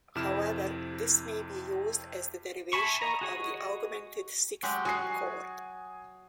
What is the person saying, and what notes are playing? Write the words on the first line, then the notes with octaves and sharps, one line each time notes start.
However, this may be used as the derivation of the augmented sixth chord.
F2 C3 E4 F6 E7
E5 G#5 A5 B5 C#6
D#5 A#5
F#4 G#4 C#5 D#5
F#3 G#3 G4
F#4 G#5 D#6 C7